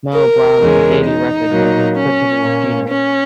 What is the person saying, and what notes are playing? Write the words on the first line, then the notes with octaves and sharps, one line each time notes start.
Merle Brown of the "Daily Record" has been critical of Gina.
A#4
E2 C#3 G#3
D#4
A#2 F#3 A#3
C#4
A#2 A#3
C#4